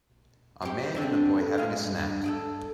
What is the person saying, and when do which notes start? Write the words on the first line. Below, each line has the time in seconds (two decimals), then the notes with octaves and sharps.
A man and a boy having a snack.
0.62 C4 G4
0.95 D3 C4 D4
1.58 G#3 F5
1.79 G2 C3
2.24 D4 G#4 A4